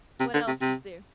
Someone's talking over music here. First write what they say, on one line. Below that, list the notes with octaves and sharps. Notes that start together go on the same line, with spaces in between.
"What else is there?"
C3
D3
C3
C3